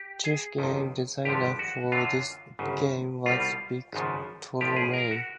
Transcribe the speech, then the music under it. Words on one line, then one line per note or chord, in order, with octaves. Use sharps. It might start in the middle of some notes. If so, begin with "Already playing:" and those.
Chief game designer for this game was Vic Tolomei.
Already playing: G4
G#4
G1 F2 C3 D#3
G#1 G2 D3 F3 G4
F#4
F#2 D3 F#3 F4
G1 F#2 C#3
C2 B2 G3 F4
G#1 F#2 C#3 F3
A1 A2 F3 G4
G#4
A#4
F#4